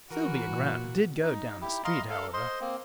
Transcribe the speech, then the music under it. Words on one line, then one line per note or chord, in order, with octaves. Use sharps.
Sylvia Grant did go down the street, however.
E3 F#4 A#4
A#2
D#4
E4 G4
D#5 F5 A#5 C6
A4 F5
C5 D#5 C6
A#3 C4